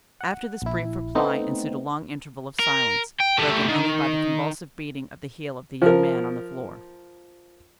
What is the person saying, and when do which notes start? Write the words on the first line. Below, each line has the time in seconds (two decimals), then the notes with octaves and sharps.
After this brief reply ensued a long interval of silence, broken only by the convulsive beating of the heel of the young man on the floor.
0.21 F#5
0.62 A#1 E4
1.15 A3 B3 C4 D#4
2.60 A#4
3.20 G5
3.38 G3 A3
3.68 D#3
5.82 F3 A#4